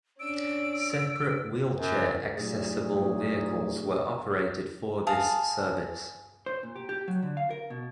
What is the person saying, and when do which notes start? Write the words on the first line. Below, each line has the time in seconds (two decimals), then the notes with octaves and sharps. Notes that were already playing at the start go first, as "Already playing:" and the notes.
Separate wheelchair accessible vehicles were operated for this service.
0.20 C#4 D4 E6 D7
1.75 F#2
2.35 A#2 F#3 A3 D#4 G4 G#4
5.07 G#4 F5 A5 D#6
6.46 C5
6.63 A#2
6.76 G4
6.89 G4
7.08 F#3
7.22 D3
7.37 F5
7.50 A#4
7.70 B2